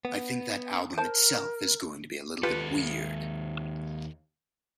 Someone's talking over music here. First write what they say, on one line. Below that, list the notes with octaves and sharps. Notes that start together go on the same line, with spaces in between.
I think that album itself is going to be a little bit weird.
B3
A#4 C5 A5
D#2 F4 G4 A4 B4